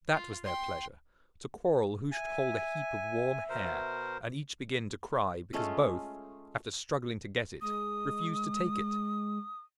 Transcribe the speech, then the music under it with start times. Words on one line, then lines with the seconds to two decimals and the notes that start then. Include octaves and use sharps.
That was their pleasure! to quarrel who should hold a heap of warm hair, and each begin to cry because both, after struggling to get it, refused to take it.
0.11 F4
0.44 G5 C6
2.12 E5 G#5
3.50 B2 A#4 C5
5.53 G#3 A3 C#4 F4
7.61 G#3 D#6